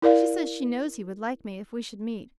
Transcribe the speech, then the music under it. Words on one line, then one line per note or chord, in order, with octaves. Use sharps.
She says she knows he would like me if we should meet.
E4 A#4 D5 F5